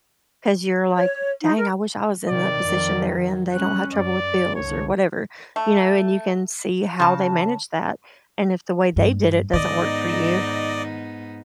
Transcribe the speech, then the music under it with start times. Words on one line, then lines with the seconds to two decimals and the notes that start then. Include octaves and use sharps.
'cause you're like, "Dang, I wish I was in the position they're in. They don't have trouble with bills or whatever." you know, and you can see how they manage that. And if the way they did it doesn't work for you,
0.96 C#5
1.42 D#4
1.56 A#4
2.29 C3 D#3 D5
2.60 F2 D#3
3.53 G3 C#4 F#6
3.93 F#2 D5
4.56 C2 D3 C#5
5.56 A3
6.99 C#3 A5
8.96 G2
9.53 G#2 D#3 B3 D#4 D5 D#5